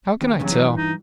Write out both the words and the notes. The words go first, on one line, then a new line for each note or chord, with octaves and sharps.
How can I tell?
D#2
E2 G2 C#3 F#3
G2 E3
D#4